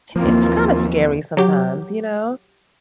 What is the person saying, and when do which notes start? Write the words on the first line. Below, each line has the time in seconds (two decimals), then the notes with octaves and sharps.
it's kinda scary sometimes, you know,
0.16 D#2 E3 F3 A#3 C4 F4
1.37 F#3 G4